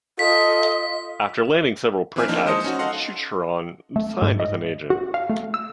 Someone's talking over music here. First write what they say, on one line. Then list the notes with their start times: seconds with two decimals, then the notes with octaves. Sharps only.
After landing several print ads, Chuchran signed with an agent.
0.19 F4 A4 D#5 B6
2.16 E3 A#3 C4 E5 G#5 F6
2.28 E3 F3 A#3 D4 D#4
2.46 G#3 C5 D#5 A5 D#6 C#7
2.64 C#4 D#4 F#4
2.79 A4 D#5 F5 F#5 C6
3.96 A3
4.22 G#2
4.40 D#5
4.90 F#4
5.14 F5
5.30 A3
5.54 E6